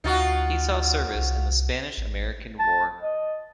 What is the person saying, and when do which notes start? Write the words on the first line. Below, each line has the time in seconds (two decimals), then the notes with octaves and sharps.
He saw service in the Spanish-American War.
0.04 D2 D#4 F4 F#4
1.15 C2
1.97 A1
2.59 A5
3.01 D#5